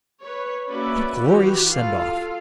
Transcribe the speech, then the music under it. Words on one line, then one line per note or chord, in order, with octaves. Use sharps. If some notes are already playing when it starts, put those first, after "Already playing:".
What a glorious send- off!
B4 C#5
A#3 C#4 F#4 B4 D5 E5
E3 F#4 G4
F4 A4 F5